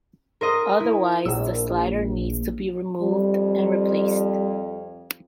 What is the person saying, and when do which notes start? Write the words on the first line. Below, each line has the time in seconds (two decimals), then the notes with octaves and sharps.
Otherwise the slider needs to be removed and replaced.
0.41 A#4 C5 D#5
0.80 E4
1.25 A#1 E6
3.01 F2 G3